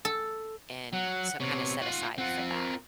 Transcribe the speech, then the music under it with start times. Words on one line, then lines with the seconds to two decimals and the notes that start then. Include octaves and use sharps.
and so kinda set aside for that.
0.05 A4
0.93 F#3 F#5
1.40 C3 B3 C#5
1.82 F4 F#5
2.18 C4 F4 F#5
2.52 A#4